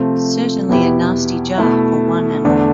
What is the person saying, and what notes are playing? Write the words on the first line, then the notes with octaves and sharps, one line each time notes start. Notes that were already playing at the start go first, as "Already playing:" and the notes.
Certainly a nasty jar for one and all.
Already playing: C3 F3 A3 C4
E2 B2 B3 E4 G4
B2 A3 E4
E2 D3 A3 D4